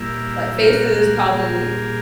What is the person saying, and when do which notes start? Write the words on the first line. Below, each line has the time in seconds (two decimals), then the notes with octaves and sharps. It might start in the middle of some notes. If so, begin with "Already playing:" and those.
like faces probably
Already playing: A#2 G3 A#3 E4
0.54 A#2 G3 A#3 F4
0.73 F#4
0.93 F#4
1.13 G#4
1.32 A#2 G3 A#3